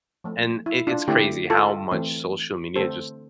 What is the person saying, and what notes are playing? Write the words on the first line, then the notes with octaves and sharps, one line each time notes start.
and i it's crazy how much social media just
F3 A3 C4
E4
D4 F4
D3 A3 C4 E4 G4
F4 A4
E3 A3 C4
D3 A3 C4 A4 C5